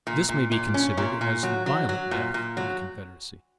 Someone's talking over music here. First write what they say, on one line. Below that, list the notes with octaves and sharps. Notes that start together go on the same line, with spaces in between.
This may be considered as the violent death of the Confederacy.
A#2
A#2
A#2
C#4
A#2
A#2
F#3
F#3
F#3
A#2
A#2
F#3